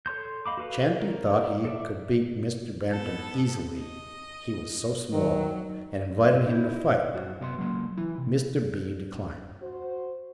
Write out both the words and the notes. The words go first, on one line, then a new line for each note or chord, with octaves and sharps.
Chanty thought he could beat Mr. Bantam easily, he was so small, and invited him to fight. Mr. B. declined.
A4 C#5 C6 G6
D#5 F5 B5 D6
F#4 A4 B4 F5
A#4
A4 D5 E5
B3 A4
D#5
D#3 F#3
D#4 E4
F#2 F#4
C3 B3 D#5 C6
C#2 F#3 A#3 C6
E3 E4
C3
F#4 C5